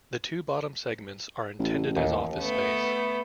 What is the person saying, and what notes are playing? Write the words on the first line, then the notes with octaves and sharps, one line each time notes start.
The two bottom segments are intended as office space.
A1
D#2
A3 B3